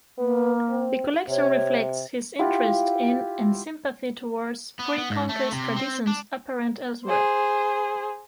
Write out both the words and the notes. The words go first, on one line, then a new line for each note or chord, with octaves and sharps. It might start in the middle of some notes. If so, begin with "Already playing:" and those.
The collection reflects his interest in and sympathy towards pre-Conquest traditions apparent elsewhere.
A#3 B3
C4
C3 C#5
E4 F4 G4 F#5
B3
B3
G#2
A3
C3
C4
D4
G#4 C5